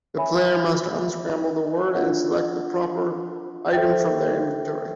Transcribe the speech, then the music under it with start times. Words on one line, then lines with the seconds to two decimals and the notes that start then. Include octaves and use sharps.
The player must unscramble the word and select the proper item from their inventory.
0.17 C#5 E5 G#5 B5
1.94 D4 F4 A#4 C#5 F#5
3.73 A4 C5 E5 G5